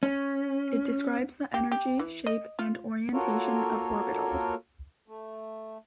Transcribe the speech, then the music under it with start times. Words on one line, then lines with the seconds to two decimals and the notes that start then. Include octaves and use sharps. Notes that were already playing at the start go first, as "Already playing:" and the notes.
It describes the energy, shape and orientation of orbitals.
0.03 C#4
1.54 G4
1.72 G4
1.99 E3
2.26 D#5
2.59 F4
3.13 A#3 F4 F#4 A4 A#4 C#5
5.08 A3